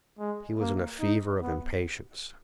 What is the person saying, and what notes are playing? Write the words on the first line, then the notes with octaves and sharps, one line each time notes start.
He was in a fever of impatience.
G#3
A#3
D#4
B3